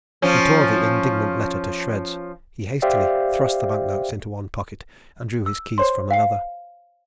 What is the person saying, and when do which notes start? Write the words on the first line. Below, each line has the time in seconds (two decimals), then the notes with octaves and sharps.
He tore the indignant letter to shreds; he hastily thrust the bank-notes into one pocket and drew his keys from another.
0.22 F3 C#4
2.82 G4 C5 D5 E5 F5 G5
5.46 E6
5.78 C5 C#5 C6
6.11 F5 G5 C7